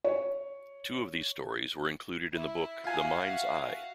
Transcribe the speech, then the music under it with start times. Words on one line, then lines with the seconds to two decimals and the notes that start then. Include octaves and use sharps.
Two of these stories were included in the book The Mind's I.
0.04 C#5
2.34 E4 E5
2.84 F4 F#4 F5 F#5 G#5